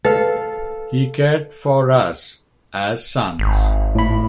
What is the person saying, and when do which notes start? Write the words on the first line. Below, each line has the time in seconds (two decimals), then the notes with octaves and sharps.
He cared for us as sons.
0.05 A4 B4 F5
3.39 G#1
3.95 A2 B5